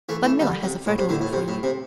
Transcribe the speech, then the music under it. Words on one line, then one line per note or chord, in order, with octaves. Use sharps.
Ludmilla has a photo of it for you.'
E3 A3
E3 A3
D3 G3
C3
A2
C3
A2 D3
A2
C3
A2
C3